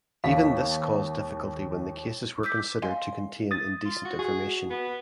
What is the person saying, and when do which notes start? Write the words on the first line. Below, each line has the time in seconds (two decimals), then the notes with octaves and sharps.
Even this caused difficulty when the cases were considered to contain indecent information.
0.24 D#2 F5
2.43 D6 E6 G6 B6
2.82 D#5 F5 G#5 C6
3.51 D#6 A6
3.85 F4
4.05 F#4
4.19 F#4 G#4
4.70 B3